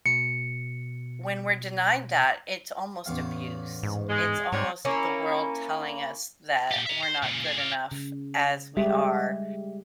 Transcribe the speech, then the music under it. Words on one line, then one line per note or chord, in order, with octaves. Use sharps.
When we're denied that, it's almost abuse. It's almost the world telling us that we're not good enough as we are,
B2 C#7
A1 E2 F5
G#2
G#3
G#2 C3 G3 C#5
A#3 C#4 E4
A#2 G4
E5 A#5
C5
A#2 C#3
A#2 G#4
D5 F5
C#3
G3 G#3 G4 E5